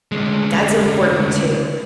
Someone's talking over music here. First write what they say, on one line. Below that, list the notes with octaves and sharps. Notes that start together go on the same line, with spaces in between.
that's important too.
D2 G#3